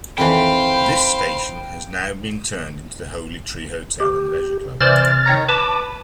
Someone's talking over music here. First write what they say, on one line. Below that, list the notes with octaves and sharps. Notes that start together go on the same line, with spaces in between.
This station has now been turned into The Holly Tree Hotel and Leisure Club.
F2 D#3 E3 C5 F5 G5 B5
G4
C3 E3 C5 D5 F6 A6
D#3 C#5 A#5
B4 A5 D6